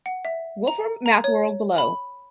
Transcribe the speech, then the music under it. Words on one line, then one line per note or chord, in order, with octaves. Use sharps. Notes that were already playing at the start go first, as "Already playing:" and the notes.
Wolfram MathWorld below.
F#5
E5
A#5
A#5
C#5
B5